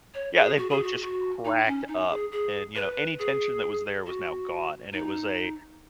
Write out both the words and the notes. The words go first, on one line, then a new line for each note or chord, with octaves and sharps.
yeah, they both just cracked up and, you know, any tension that was there was now gone and it was a
C#5
G#4
F#4
G#4
F#4
F#4
D#4
C#4
D#4
G#4
G#4
B4
G#4
F#4
D#4